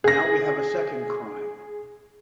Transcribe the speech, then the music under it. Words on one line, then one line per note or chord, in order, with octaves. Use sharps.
Now we have a second crime.
G#4 A#6